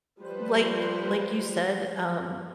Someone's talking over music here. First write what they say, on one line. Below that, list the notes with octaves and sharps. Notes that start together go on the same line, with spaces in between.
uh, like like you said, um,
F3 G3 B4 C5